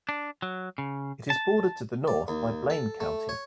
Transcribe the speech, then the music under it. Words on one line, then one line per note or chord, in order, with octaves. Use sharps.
It is bordered to the north by Blaine County.
D4
F#3
C#3
A5
D5
D#2
A4
A3
C#5